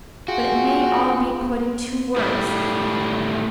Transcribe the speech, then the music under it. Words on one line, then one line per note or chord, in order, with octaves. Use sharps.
But it may all be put in two words.
F4 F#4 G#4 G5
A2 G3